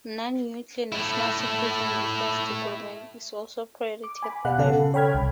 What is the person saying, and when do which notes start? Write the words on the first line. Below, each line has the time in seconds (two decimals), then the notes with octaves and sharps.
Non-nuclear national security and defense development is also a priority at the lab.
0.92 A3 E4
4.04 D6
4.23 G#5 B5
4.45 B2 F5 F#5 F#6
4.59 C#3 A4
4.94 C#5 G5 B5 F6 G#6
5.14 C2